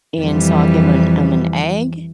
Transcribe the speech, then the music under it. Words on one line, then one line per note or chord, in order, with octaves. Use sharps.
And so I'll give m him an egg
F2 E3 G3